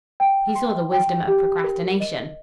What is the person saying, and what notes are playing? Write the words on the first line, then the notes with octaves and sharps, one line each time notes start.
He saw the wisdom of procrastination.
G5
C6
G5
G4
A#4
D#5